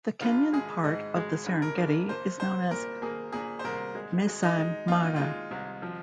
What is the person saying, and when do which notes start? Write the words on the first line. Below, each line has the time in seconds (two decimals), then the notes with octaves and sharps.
The Kenyan part of the Serengeti is known as Maasai Mara.
0.21 A#1 F4
0.53 G#3 G#4
0.84 G#2 D#5
1.16 G#3
1.46 A#1
1.62 A#4
1.78 A#1
2.08 A#3 C5
2.39 C2 C5
2.71 A#2 A#4
3.02 A#3 G#4
3.32 A#2 G#4
3.59 C5
3.64 C2 A#4
3.95 G#3
4.27 G#3
4.43 D#4
4.58 G#3
4.88 A#2 F4
5.03 D#4
5.16 G#3 F4
5.51 C2
5.82 F3